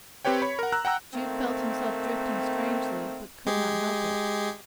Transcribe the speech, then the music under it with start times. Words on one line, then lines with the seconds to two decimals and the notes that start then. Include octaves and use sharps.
Jude felt himself drifting strangely, but could not help it.
0.25 C4 G4 B4 C#5 G5
0.42 C#5 B5
0.59 A#4 F#5
0.72 A#5 E6 F#6
0.85 F#5 G5 A#5 E6
1.13 D#3 A3 A#3 C4
3.46 G#3 G4 G#4